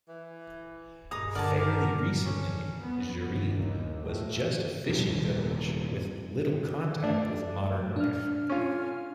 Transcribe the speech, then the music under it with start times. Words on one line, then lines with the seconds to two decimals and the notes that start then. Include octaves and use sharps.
Fairly recently, Jeri was just a fishing village with little contact with modern life.
0.08 E3
1.11 G2 A#2 G#3 G#4 F5 A#5 D#6
1.35 G2 D3 A#4 D5 F#5 G#5 A5 A6
2.26 C#4
2.83 B3
3.23 G1
3.57 D#2
4.02 A2
4.86 D#1 C3
7.04 A3 D4
7.96 D4 F6
8.50 C#4 F4